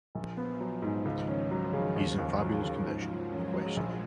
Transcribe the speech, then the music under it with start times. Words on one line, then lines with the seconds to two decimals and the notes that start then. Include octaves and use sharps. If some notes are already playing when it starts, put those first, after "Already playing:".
He's in fabulous condition, no question.
0.15 A#1 F3
0.37 B3
0.60 F#3
0.82 G#2
1.05 C#2 D#3
1.28 C#4
1.50 F3 F#3
1.73 C#3
1.96 D#2 F3
2.18 D#2
2.41 F3 F#3
2.64 C#3
2.86 G#2 F#3
3.09 F4
3.31 G#3 C#4
3.53 F#3
3.77 A#1